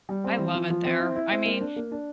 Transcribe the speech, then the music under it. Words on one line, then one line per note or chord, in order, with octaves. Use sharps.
I love it there, I mean
G3
C4
E3
F3
F3
C4
E4
E4
C4
A#3
D4
A#3
D4